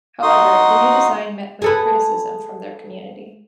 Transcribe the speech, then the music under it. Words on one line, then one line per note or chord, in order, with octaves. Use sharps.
However, the new design met with criticism from their community.
D#4 F#4 C6 D#6
G#4 A4 B4